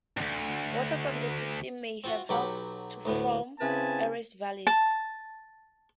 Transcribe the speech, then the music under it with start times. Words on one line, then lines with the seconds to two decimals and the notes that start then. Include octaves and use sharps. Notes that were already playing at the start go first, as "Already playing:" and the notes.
Water from this system may have helped to form Ares Vallis.
0.17 D2 G2
2.04 C4 F4 F#4
2.29 B1 F#3 G4 F#5 B5
3.05 D2 A2 B3
3.60 C#3 C4 E4 B4 G#5 A5
4.67 A5